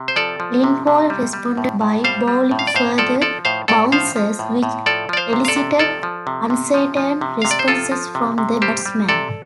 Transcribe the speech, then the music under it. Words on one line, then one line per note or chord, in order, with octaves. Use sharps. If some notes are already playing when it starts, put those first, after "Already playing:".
Lindwall responded by bowling further bouncers, which elicited uncertain responses from the batsman.
Already playing: C3
C5
F3 A4 D5
F3
C3
C3
G3
G3
A2
A2
G3 C5 F5
G3
A2
F5
D5
A2 C5 F5
F3 A4 D5
F3 A4 D5
A2 C5 F5
A2 A4 D5
F3 C5 F5
F3
A2
A2
F3 A4 D5
F3 D5
C5 F5
C3
F5
A4 D5
C3
F3 A4 D5
F3
C3
C3
F3
F3
C3
C3 F5
D5
C5
F3 F4 A4
F3
C3
C3
G3 G4 C5
G3
C3 A4 D5